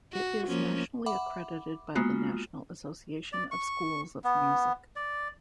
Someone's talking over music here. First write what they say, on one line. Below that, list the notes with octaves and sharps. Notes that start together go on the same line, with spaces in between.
It is nationally accredited by the National Association of Schools of Music.
F#4
F3 A#3 C#4
E5 F#5 B5 D6
G#3 A#3 B3 F4 F#4
D5
C#6
B3
D5